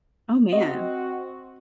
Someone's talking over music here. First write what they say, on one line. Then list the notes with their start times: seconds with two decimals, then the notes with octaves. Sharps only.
Oh man,
0.52 C4 F#4 D#5